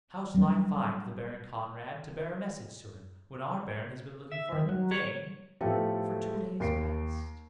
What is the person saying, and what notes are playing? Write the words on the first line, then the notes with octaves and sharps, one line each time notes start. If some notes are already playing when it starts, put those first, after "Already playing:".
"How shall I find the Baron Conrad to bear a message to him, when our Baron has been looking for him in vain for two days past?"
F#3 G3 A#3 D4
E5
D#3
F#3
C#5
A2 F3 A3 B3 G4 A4
D#2 C7 D7